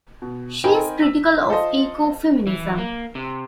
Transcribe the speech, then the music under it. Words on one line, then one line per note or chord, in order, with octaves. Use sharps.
She is critical of eco-feminism.
B2
C4 D#4 A#4 G5 G#5 B5
E6 B6
F4 A4 C5 D#5
E3
A#3
C3